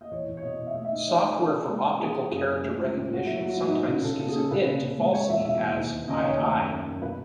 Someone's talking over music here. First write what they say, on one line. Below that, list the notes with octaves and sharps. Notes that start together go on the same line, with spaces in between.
Software for optical character recognition sometimes sees it falsely as "ii".
D#5
E2 C#5
E2
C#5
B2 D#5
B2
E5
A3 D#5
E5
D#3 D#5
D#3 C#5
D#3 E5
C#4 A4
B2
G#3
C#4
E3 G#4
E3
F#2 G#4
F#2
A3
C#2
C#4
C#2 F#4
F#3 E4
F#3
F#4
A2 E4
D#4
B3
E4
C#3 F#4
C#3 A4
C#3 A4
G#4
C#4 A4
C#3 B4
C#3
C#3
G#3
G#3 C#5
E2 E5
B2 E5
E2
D#2
B3
C#3 D#5
D#2 C#5
A3
F#2
A3
F#2
B2 B4